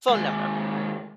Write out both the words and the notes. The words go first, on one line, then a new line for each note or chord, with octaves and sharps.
phone number
D#2 G#3